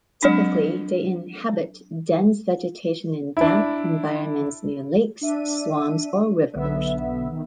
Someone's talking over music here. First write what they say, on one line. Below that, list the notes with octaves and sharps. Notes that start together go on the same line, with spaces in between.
Typically they inhabit dense vegetation in damp environments near lakes, swamps or rivers.
F#3 G#3 C4 D4
D4 E4
D4 E5 D#7
B1 D3 B3 E5
D#3